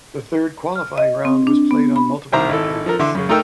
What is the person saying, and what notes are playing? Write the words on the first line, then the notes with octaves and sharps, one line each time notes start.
The third qualifying round was played on multiple weekends.
F6
D#5
C4
D4
B3
B5
C2 D#3 C5 E5 A#5 D6
G#1 E4 A4
F3 A4 A#4
D3 E3 E5 C6 D6
F#2 C#3
A3 D#4 A4 A#4 G5 E6